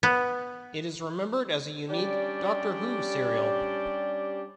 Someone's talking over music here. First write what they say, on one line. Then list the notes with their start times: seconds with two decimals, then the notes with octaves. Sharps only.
It is remembered as a unique "Doctor Who" serial.
0.03 B3
1.89 G3 C#4 D4 G4 D5